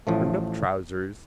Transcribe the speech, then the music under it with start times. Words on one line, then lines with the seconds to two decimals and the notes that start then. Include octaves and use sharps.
Turnedup trousers.
0.07 A1 A2 F3 A3